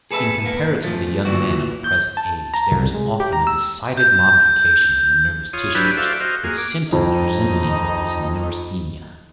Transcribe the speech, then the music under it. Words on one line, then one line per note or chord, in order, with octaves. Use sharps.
In comparatively young men of the present age there is often a decided modification of the nervous tissues with symptoms resembling those in neurasthenia.
G#4 A4 B4 D5 E5
A#3 B3
E2 F3 A3
D2 A#2 D3 E3 E4 F#4
G6
A5
A#5
C2
G#3
G4
A#5
E6
G6
F4 C#5 D#6
F#3 D4 E4 G4 B4
F#4 A4 C5 D5 E5 F5
F#4 C5 D#5 F6
A#3 F#4 G#4
D6
F2 D#4